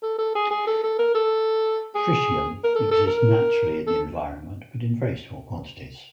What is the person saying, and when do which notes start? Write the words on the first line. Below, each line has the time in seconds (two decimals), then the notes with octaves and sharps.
Tritium exists naturally in the environment, but in very small quantities.
0.02 A4
0.19 A4
0.35 G#4
0.51 G#4
0.67 A4
0.83 A4
0.99 A#4
1.14 A4
1.95 G#4
2.64 A#4
2.75 A4
2.91 A4
3.07 A#4
3.87 A4